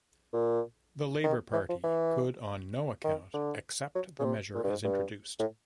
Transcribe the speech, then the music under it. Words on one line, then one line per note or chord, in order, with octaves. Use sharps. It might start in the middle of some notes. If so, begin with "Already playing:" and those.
The Labor Party could on no account accept the measure as introduced.
A#2
D#3
E3
F3
E3
D#3
D3
F#3
C#3
C3
A#2
G2
G#2
G2
A2